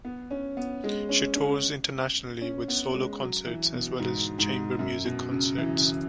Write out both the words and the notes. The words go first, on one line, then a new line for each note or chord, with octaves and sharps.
She tours internationally with solo concerts as well as chamber music concerts.
B3
C#4
B3
G#3
C#4
C#4
C#4
B3
G#3
F#3
E3
B2
G#2
G#2
F#2
B2
C#3
E3
C#3